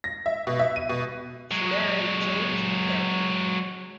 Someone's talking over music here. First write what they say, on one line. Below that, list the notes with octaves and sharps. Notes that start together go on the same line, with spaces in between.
She married James McKenna.
A#6
E5
B2
E5
D#7
B2
F#3 G#3